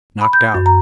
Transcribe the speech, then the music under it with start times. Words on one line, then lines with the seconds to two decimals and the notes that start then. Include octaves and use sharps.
Knocked out.
0.21 B5
0.33 G6
0.54 F#2
0.66 A#5